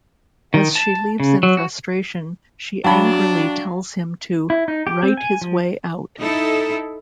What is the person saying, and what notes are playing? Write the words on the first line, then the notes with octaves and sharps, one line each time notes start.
As she leaves in frustration, she angrily tells him to "write his way out".
D#3
A5
C#3
F#3
F#4
F#3 D4 F#4 F5 G5 A5 B5
E4
D#4
G4
C4
G#5
F3
D#4 E4 A4